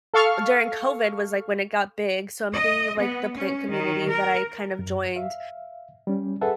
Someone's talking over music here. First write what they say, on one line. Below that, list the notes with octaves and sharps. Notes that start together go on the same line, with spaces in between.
during COVID was, like, when it got big, so I'm thinking of like the plant community, that I kind of joined
A4 F5 C#6 F6
D#5
B3
C#4
D#3
A#4
F#2
E5 F5
G3 C#4
G#4 A4 B4 E5 F#5 A5